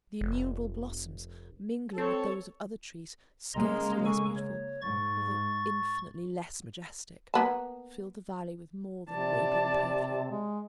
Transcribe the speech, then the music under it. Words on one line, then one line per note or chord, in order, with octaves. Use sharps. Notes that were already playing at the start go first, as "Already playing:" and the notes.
The innumerable blossoms, mingling with those of other trees scarcely less beautiful, although infinitely less majestic, filled the valley with more than Arabian perfumes.
F1
C4 A4 C#5
C#3 G#3 A#3 D#5 A#5 C6
A4 G#5 C#6
C#5
G#2 C#6 A6
A#3 B3 A5
C3 D5 A5
G#3